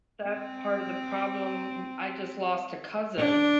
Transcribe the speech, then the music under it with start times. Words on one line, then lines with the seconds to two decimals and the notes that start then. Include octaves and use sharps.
that's part of the problem. M I just lost a cousin,
0.25 C4
3.18 D4